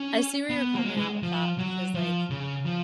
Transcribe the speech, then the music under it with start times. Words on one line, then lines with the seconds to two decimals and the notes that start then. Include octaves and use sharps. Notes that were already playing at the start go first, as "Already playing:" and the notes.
I see where you're coming at with that because like
Already playing: C#4
0.50 B3
0.75 A#3
0.86 G#3
0.98 G#3
1.22 F3
1.58 F#3
1.94 F3
2.30 C#3
2.65 F3